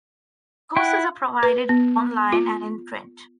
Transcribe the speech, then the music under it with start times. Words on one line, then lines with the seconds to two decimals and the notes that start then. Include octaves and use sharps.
Courses are provided online and in print.
0.77 E4 F#5 G5
1.43 B4
1.69 B3
2.32 F4